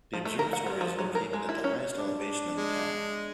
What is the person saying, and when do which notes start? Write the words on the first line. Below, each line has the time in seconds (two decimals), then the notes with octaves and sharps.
The observatory is located at the highest elevation in the town.
0.13 F3
0.25 A3
0.39 A#4
0.53 F#5
0.67 G3
0.81 F3
0.99 F#3
1.15 A#4
1.33 G#3
1.49 E4
1.64 C#4
1.98 D4
2.55 G#3